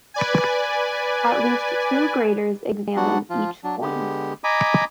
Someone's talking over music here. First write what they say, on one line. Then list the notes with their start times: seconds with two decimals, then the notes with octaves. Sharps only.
At least two graders examine each coin.
0.14 B4 D5 G#5
2.96 F#3 G3 B3 D4 F#4 F#5
3.30 F3 F4
3.64 F#3 D4
3.82 D3 G#3 B3 G4
4.44 D#5 G#5 A#5 B5 D6 D#6